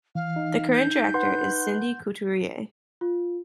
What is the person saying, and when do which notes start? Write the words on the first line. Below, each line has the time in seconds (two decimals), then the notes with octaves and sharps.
The current director is Cindy Couturier.
0.15 E3 F5
0.36 D#4
0.73 G6
1.14 B4 F#5 C6
3.01 F4